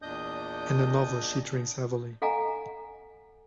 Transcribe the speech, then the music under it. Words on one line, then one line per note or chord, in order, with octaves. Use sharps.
In the novel she drinks heavily.
E2 A#2 D4 D#5 D#6 G6
A4 F5 F#5 G#5 A#5